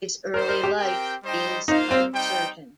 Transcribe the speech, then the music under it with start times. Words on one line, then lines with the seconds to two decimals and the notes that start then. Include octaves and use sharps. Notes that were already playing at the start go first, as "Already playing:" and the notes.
His early life is uncertain.
0.33 G3 D#4 A#4 C5
0.48 A#4
0.64 G4
0.79 C4 G4 A#4 G5
1.23 G3 D#4 C5 D#5 G5
1.68 A#3 D#4 F4 C5 F5
1.91 C4
2.13 G3 D#4 C5 G5